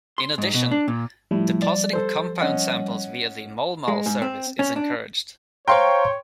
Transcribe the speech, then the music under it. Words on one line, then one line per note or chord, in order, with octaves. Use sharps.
In addition, depositing compound samples via the MolMall service is encouraged.
C6
G#2
B2
D4
A#2
A2 F3 G3
D5
A4 C5
C#4 D#5 F#5
G#3
G#2
C4
C#4
D4
C5 C#5 F5 G5 A#5 C6 C#6